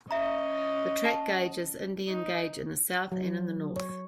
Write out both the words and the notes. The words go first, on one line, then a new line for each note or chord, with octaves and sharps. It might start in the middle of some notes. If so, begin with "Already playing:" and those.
The track gauge is Indian gauge in the south and in the north.
C#4 D#5 E5 A#5
A5
D#4
F#3
C#5